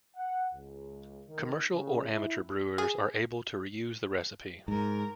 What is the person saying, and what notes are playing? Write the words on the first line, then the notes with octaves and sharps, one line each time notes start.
Commercial or amateur brewers are able to reuse the recipe.
F#5
C#2
D#3
C#3
E4
G#4
G#2 A#4